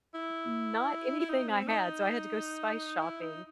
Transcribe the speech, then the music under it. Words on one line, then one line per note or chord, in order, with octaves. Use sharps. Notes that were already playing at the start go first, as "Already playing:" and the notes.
not anything I had, so I had to go spice shopping,
E4
E4
D#4
C4
D#4
E4
D#4